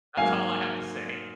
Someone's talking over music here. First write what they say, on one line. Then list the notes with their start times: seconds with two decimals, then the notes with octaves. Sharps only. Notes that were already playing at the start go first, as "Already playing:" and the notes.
That's all I have to say.
0.17 G#2 F#3 A#3 F5 G#5